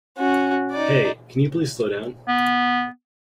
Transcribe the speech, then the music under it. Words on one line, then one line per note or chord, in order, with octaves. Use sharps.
Hey, can you please slow down?
C#4 F#4
D#4 D5
B3